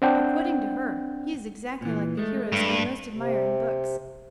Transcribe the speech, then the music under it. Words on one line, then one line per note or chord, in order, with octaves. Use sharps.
According to her, he is exactly like the heroes I most admire in books.
C4 D4 F#5 G5 G6
A#2 E3
G#3 A3
G2
C3